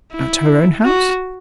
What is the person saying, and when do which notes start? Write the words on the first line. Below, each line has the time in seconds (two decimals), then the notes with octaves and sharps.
"At her own house?"
0.13 E4
0.85 F#4